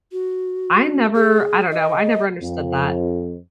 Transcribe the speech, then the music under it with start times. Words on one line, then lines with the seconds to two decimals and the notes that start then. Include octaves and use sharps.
I never I don't know, I never understood that.
0.12 F#4
1.15 G#4
1.71 D#5
2.41 F2